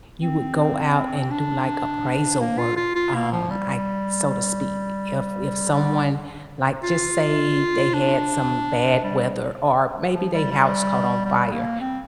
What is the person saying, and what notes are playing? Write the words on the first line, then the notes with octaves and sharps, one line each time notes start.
you would go out and do, like, appraisal work, um, I so to speak. If if someone like, just say they had some bad weather or maybe they house caught on fire
C4
D4
A#3
F4
F4
F4
A#3
F3
G3
G3
F4
D4
G3
F3
G3
G3
G3
A#3
C4